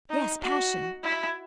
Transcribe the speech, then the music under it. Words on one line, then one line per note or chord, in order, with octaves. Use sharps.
Yes, passion.
D#4
F#4
E4